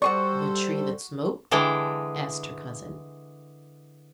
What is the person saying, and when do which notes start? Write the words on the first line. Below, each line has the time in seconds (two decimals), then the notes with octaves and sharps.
"The tree that smoked?" asked her cousin.
0.02 G3 F#4 G#4 A4 C5 D5 C#6
1.51 D3 E3 G#3 G5